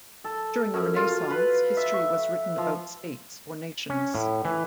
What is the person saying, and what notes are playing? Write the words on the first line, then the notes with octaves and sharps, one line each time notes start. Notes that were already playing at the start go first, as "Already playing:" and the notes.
During the Renaissance, history was written about states or nations.
A4
F#2
F4
B4
E5
C#6
F3
C#4
A2
E3